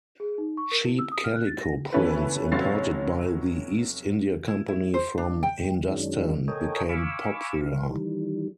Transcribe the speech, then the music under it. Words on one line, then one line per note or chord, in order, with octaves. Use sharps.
Cheap calico prints, imported by the East India Company from "Hindustan", became popular.
G#4
D#4
C#6
A#4
E4
E6
D#6
F6
F#6
A6
A#6
E3 B3 C#4 E4 A4 B4
F1 F#3 C#4 C#5 A6 C7
E4
E4
C5
D4
G5
F#2 D#3 F#3 G#3 C#4 D4
A4 A#4 C#5 D#5 G5 G#5
F5 G#5 B5 C#6 D6 E6
F5
D#3 E3 G3